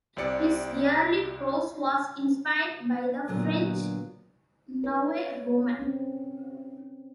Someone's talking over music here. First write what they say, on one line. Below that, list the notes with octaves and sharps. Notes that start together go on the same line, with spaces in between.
His early prose was inspired by the French nouveau roman.
C2 C3 D5 C#7
A#2 D3 F#3 B3
B4 C#5
C4 C#4